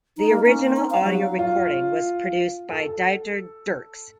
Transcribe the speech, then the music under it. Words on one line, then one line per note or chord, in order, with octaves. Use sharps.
The original audio recording was produced by Dieter Dierks.
D#4
A#3
C#4
C4
D#4
F5
F#3
F4
A4